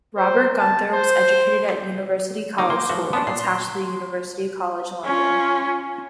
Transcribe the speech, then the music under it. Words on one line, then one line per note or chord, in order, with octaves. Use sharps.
Robert Gunther was educated at University College School, attached to University College London.
C5
A5
C5
G3 A#3 D#4 D6
A#3 C6
F3 A3 F#4
B3 C#4 D4 A5 D#6
A#2 C7
C6
C#4 F4